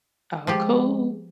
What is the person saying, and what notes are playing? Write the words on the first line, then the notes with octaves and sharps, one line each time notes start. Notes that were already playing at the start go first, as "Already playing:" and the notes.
Oh, cool.
F3 G#3 F4 G4